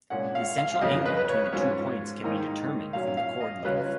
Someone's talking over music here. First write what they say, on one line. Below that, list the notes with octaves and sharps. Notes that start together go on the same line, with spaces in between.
The central angle between the two points can be determined from the chord length.
A#2 G#3 C#4 F4 F#5
F5
F5
F5
F2 C#3 F#3 D#5
B4
B4
C#5
G#2 F#3 C#4 F4
G#2 D#3 A#3 D#4
A#2 F#3 C#4 F5
F5
D#5
C#3 F#3 C#4 F4 B4